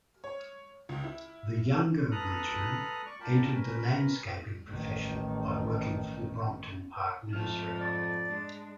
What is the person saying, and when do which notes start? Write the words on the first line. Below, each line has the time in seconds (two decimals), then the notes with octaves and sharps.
The younger Bridgeman entered the landscaping profession by working for the Brompton Park Nursery.
0.24 C#5
0.89 C#2
1.04 E4
2.11 A4 B4 A#5 D#6 F6 F#6
3.06 D5 C#6
3.20 F4 A#4 D5 G5 A5 B5
3.53 C#4 A#4 B4
4.69 A1 D#3
7.33 F2 G#2 A3 F6
7.80 D5
8.27 G#3 D4